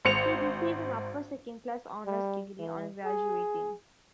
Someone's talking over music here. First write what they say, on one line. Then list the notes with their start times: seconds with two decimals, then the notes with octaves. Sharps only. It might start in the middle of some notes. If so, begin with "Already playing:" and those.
He received an Upper-Second Class Honours degree on graduating.
0.05 G#1 C5 C#7 F7
2.06 G3
2.59 E3
3.05 G#4